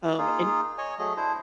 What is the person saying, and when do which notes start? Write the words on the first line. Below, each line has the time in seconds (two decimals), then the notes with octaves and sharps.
Um, and
0.18 A#3 D#4 F4 G#4
0.78 C#5 D#5 G#5
0.99 F#3 A3 G#4 D#5
1.17 D4 E4 C5